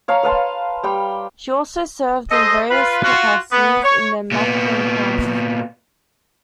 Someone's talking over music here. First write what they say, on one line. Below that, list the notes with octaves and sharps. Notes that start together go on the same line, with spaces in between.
She also served in various capacities in the Mapam Party.
C#5 F5 A5 A#5
B4 F5 A5 C6
G3 G4 G5
G#4 A4 C5 D#5
F4 B4
F4 F#4
B3
C#5
A#2 B3